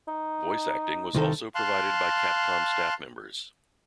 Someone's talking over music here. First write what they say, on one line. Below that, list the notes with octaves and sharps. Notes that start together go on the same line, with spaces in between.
Voice acting was also provided by Capcom staff members.
D#4
C2 D#3 A4
F5 A5 C6 F#6